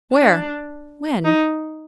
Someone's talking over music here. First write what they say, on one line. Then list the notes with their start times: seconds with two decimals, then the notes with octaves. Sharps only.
"Where? When?"
0.12 D4
1.24 D#4